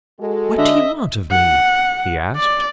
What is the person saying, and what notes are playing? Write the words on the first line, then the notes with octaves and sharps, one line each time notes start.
"What do you want of me?" he asked.
G#3 F#4 A4
D3 D#5 E5
F#5
D5